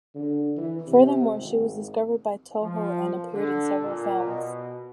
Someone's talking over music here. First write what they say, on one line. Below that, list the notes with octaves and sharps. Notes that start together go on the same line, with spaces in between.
Furthermore, she was discovered by Toho and appeared in several films.
D3
E3
C3
G#1
F3
D3
A#2
B2